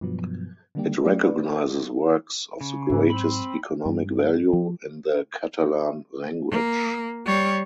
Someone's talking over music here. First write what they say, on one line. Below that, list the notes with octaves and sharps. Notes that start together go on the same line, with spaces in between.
It recognizes works of the greatest economic value in the Catalan language.
G2 B2 F3 F#3 B3
D3 D#3 G3 A#3 D4 G4
F#3 A3 C#4 F4 G4 D5
B4 D5
C#3
G#2 E3 F#3
C4 B5
G2
F3
A#3
G3 C#5